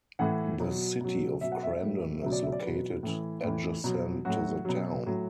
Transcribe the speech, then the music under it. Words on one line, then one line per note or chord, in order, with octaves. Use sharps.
The City of Crandon is located adjacent to the town.
A2 E3 F#5
B2 F#3
B2 F#3
B2 F#3 E5
F#5
E5
A2 F#3
B2 F#3 E5
D5
E5
D5
F#3 B4
B2
A2 E3
A2 E3
B2 F#3
A2 F#3 F#4
B2 F#3
A2 F#3